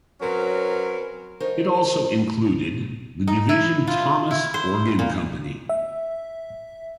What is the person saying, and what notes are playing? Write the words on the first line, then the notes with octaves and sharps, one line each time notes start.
It also included the division Thomas Organ Company.
F#3 C4 C#4 A#4 B4
F3 G#3 D#4 A#4 C5 C#5
D#4
E4
F4
E4
C5
A#2
E5